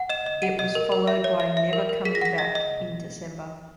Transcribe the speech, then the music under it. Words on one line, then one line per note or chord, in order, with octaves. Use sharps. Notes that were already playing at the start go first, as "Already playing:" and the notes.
It was followed by "Never Coming Back" in December.
Already playing: F#5
D#5 E7
D#5
F#5 D#7
D#5
A#4
A#4
E5
C#5
E5
E5
A#4
A#4
G#4 B6
A#6
F#5 B6
D#5 A#6
D#5